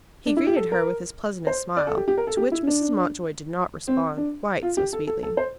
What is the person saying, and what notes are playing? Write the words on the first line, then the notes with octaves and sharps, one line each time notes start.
He greeted her with his pleasantest smile, to which Mrs. Mountjoy did not respond quite so sweetly.
D4
E4
G4
A4
A#4
C5
D5
A4
G4
G4
A#4
A4
G4
E4
D4
C4
D4
F4
G4
A4
A4
A4
C5